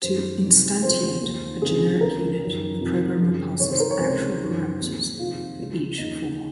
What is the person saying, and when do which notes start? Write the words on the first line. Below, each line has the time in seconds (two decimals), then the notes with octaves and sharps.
To "instantiate" a generic unit, the programmer passes "actual" parameters for each formal.
0.02 F#2 D#3 C5
0.43 C2 C3 D#3
0.82 F2 C#3 C5
1.21 D#2 D#3
1.61 C#2 C3 D#3 G#4
2.01 C#2 C#3 A#4
2.42 F#2 D#3
2.81 F2 C3 D#3
3.20 F#2 C#3
3.60 C2 C3 D#3 C#5
3.70 C5
3.80 A#4
3.90 C#5
4.00 C#2 C3 D#3 C5
4.39 F#2 D#3
4.79 C2 A#2
5.19 F2 C3 D#3 F4
5.59 C#2 C#3
5.98 D#2 C#3 D#4